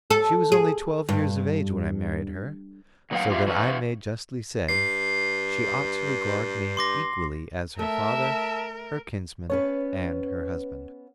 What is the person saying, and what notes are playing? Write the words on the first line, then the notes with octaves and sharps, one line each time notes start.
She was only twelve years of age when I married her, so that I may justly say, she ought to regard me equally as her father, her kinsman, and her husband.
A4
G#4
G2
A#2 F#3 B3 F4 F5 G5
F4 G4 D5 E5 F5
E3 F#4
G2 C7
C6 D6 A#6
A3 A#4 E5 A5
B3 C#4 B4 C#5